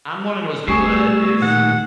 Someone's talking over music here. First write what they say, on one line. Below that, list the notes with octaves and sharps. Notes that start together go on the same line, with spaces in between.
I'm one of those people that is,
G3 A3 G#4 C#6 E6 C7
A#2 D#3 F#5